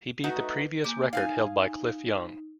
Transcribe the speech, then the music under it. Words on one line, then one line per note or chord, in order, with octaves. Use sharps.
He beat the previous record held by Cliff Young.
A3 D#4 F#4 B4
A#3 G4 G#5
D#4 F5 G5 G#5